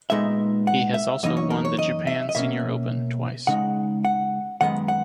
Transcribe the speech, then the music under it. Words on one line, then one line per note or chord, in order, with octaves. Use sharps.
He has also won the Japan Senior Open twice.
A#2 G#3 B3 D#4 E5
F#5
E5
F#2 E3 A#3 D#4 D#5
C#5
A#4
C#5
D#5
E5
D#5
B2 A#3 C#4 E5
C#3 G#3 D#4 F#5
F#5
F#2 D#3 G#3 B3 F#5
F#5